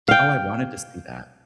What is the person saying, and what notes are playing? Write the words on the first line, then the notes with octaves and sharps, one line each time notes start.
Oh, I wanted to see that.
F5 G5